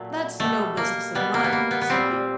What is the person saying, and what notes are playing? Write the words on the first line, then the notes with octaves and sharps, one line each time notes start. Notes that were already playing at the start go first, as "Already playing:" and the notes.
"That's no business of mine," said he.
Already playing: A#2 F#3 A3
B2 G3 A3
A#3
B2 G3 B3
A#3
B3
A#3
B3
B3
A#2 G3 C4